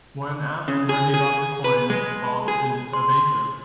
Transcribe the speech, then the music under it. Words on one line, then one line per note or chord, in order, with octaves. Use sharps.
When asked where he got the coin, Bob is evasive.
C#3
G#4
G#4
B4
G#3
G#4
C6